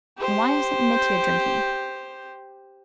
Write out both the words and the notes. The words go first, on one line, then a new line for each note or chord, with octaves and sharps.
And why isn't Mitya drinking?
G4 C5